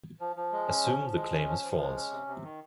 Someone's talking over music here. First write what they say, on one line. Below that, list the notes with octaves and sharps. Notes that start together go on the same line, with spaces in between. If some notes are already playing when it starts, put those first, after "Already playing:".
Assume the claim is false.
F3
F3
G#3
C#4
F3
F3
G#3
C#4
F3
F3
G#3
C#4
C3
C3
D#3